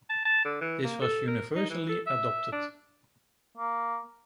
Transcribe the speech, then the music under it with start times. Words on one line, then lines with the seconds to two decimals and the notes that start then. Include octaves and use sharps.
This was universally adopted.
0.10 A5
0.25 A5
0.45 D3
0.61 E3
0.84 A#3
1.02 A4
1.27 A#4
1.56 D#4
1.70 E3
1.89 A4
2.07 E5
2.52 D4
3.57 A#3